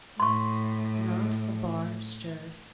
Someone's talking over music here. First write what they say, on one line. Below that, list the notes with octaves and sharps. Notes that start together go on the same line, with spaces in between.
Not a bar stirred.
A2 C6 C#6